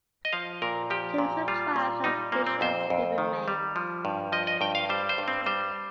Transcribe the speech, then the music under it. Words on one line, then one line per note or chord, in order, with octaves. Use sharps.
Today some tracks and stations still remain.
D#5
F3 F5
A#2 A#4
F3 G4
A#2
G3 F4
A#2
G3 D#4
A#2 A#3
C4
F2 C5
F2
D#3
G3
F3
G2
F3 D#5
D#5
G2 G5
F5
G3 C5
C5
G2
C4
G3 C5